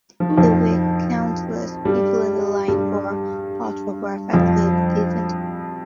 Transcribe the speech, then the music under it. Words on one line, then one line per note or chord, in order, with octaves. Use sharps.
There were countless people in line for her autograph after the event.
F3
D#3
F2 F3
G2 G3
G2 G3
F2 F3